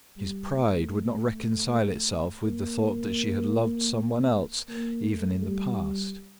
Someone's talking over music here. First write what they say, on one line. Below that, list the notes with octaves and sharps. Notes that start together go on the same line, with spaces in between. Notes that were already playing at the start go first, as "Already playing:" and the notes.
His pride would not reconcile itself with the thought that she had loved some one else, even in the past.
G3
A3
A#3
A#3
A3
G3